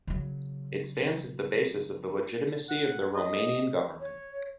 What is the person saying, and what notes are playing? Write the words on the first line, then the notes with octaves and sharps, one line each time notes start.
It stands as the basis of the legitimacy of the Romanian government.
C#3 F#3
F#5
D#5
C#5